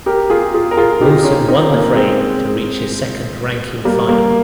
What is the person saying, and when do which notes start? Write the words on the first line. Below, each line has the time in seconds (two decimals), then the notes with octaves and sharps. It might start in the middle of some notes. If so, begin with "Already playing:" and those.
Wilson won the frame to reach his second ranking final.
0.06 G4 A#4
0.30 F4 G#4
0.54 F4 G#4
0.71 A#4
0.77 F4 G#4
1.01 D#4 G4
1.24 C#4 F4
1.48 C4 D#4
1.72 A#3 C#4
1.96 G#3 C4
3.85 G3 A#3
4.09 G3 A#3